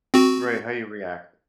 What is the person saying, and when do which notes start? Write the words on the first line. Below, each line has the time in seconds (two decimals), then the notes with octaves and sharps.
Right, how you react?
0.14 C4 F#4